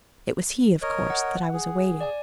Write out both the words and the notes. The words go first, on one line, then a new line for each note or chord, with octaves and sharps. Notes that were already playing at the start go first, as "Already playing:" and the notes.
It was he, of course, that I was awaiting.
A#4 C#5 D#5
F#5
G#4
D5 G#5